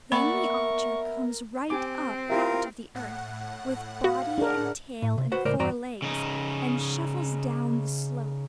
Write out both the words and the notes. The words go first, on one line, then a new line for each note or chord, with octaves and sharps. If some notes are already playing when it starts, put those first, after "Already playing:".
Then the otter comes right up out of the earth, with body and tail and four legs, and shuffles down the slope.
A#3 B3 A#4 D5 E5 B5 C#6
C4 G4 G#5 D6
E4 F4 G4 A#4 E5
A2 F#5
F#4 F5
D4 G#4 A#4
A2
C3
F#4 B4 C5 F#5
C#2 A2 A#4 C5 D5
E2 G2 F#4 D5 A#5
C#3 D#4